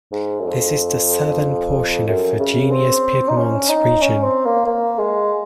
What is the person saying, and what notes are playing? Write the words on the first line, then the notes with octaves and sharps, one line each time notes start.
This is the southern portion of Virginia's Piedmont region.
G#2
F#2
F2
F#2
C#3
C4
D#4
C#4
D#4
C#4
C4
A#3
A#3
G#3